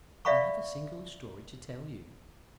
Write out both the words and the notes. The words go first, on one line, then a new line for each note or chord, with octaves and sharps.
I have a singular story to tell you.
D5 E5 F5 B5 C#6